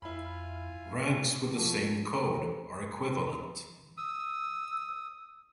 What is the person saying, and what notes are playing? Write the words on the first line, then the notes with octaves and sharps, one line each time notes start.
Ranks with the same code are equivalent.
F2 E4 F4 F5 G#5 B5
F3 A3 B3 F4 A5 C#6
E3 G4 A4 C5 C#5
D#6 E6